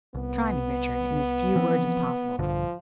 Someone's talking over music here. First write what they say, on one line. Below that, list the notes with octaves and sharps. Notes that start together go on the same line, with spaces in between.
"Try me, Richard, in as few words as possible."
C2 B3
E3 F3 C4
A#1 G2 D3 F3